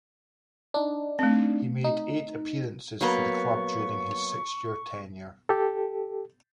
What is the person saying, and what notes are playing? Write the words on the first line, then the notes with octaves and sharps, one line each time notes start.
He made eight appearances for the club during his six-year tenure.
D4 D#4
A3 C4
D#4
F#3 A#3 B3 C#6
G4 A4